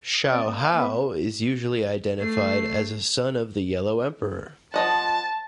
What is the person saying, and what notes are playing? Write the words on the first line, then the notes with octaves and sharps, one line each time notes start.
Shaohao is usually identified as a son of the Yellow Emperor.
D#6
C4 D5
A#3 D#6
F5
B3 B5
A3 C7
F3 D#5 F#5 A5